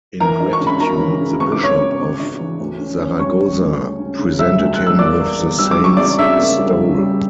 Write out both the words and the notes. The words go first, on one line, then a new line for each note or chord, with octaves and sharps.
In gratitude the bishop of Zaragoza presented him with the saint's stole.
E3 A#4 A#5
D4
C#6
C#3
B5
C#3 A#4 A#5
E3
C#3
B3 C#6
D6
B3 C#5 C#6
C#3
B3
D4
E3
D2
C#4
C#4
G3 C#5 C#6
C#3
D2
C#4
C#4
C#3
G3 E5 E6
D2
F#6
G3
E6
A#3 D5 D6
E2
E2
G3 E6
D6
C#3
C#6
E2 D5 D6
C#3 E5 E6
A#3
G3
C#3
G3